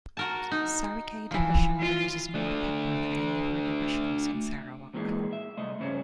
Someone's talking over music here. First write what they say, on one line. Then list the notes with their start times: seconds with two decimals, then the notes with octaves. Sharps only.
Sarikei Division produces more pepper than any other divisions in Sarawak.
0.17 F#4 A#4 A5
0.51 D#4
1.31 E3 F3
1.80 F4
2.35 A3 D4
4.94 D#2 A#2 D#3 E3 G#3
5.33 E5
5.57 C2 A3 D#5
5.79 G2 C#3 C4 C#4